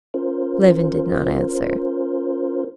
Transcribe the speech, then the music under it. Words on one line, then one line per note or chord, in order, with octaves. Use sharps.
Levin did not answer.
C#4 F4 A#4 C5